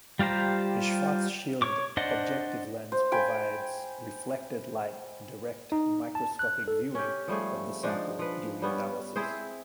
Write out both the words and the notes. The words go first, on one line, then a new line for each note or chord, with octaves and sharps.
A Schwarzschild objective lens provides reflected-light direct microscopic viewing of the sample during analysis.
G3 F4 G4 C5 A#5
C#5 C#6 D6
D4 C5 D5 D#5 F#5
C5
G5 G#5 B5
D#4
A5
F#6
A4
C#4 G4
F3 G3 A3 G#4
F3 G#3 D4 D#4
F3 B4
G3 B3 C#4
C4 E4 G#4 C5